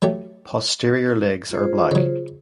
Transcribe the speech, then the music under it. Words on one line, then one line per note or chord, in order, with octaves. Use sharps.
Posterior legs are black.
F#3 A3 G4
F4 G#4 C5
C#3 F#3